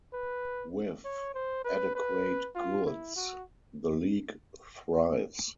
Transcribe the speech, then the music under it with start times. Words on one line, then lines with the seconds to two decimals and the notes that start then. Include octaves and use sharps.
With adequate goods, the league thrives.
0.13 B4
1.04 C#5
1.34 C5
1.65 B4
1.95 B4
2.55 F4
2.86 E4
3.16 F#4